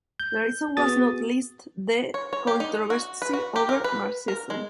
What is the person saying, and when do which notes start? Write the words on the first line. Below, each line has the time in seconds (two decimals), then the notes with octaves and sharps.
The reason was not least the controversy over Marxism.
0.20 G6
0.77 B3 F#4 G#4 D#6 A6
2.14 C#5
2.33 C#5
2.47 G4
2.60 D#4
2.90 F#4
3.22 B4
3.33 F#4
3.56 G4
3.69 A#4
3.84 B4
4.28 A#4
4.50 G#3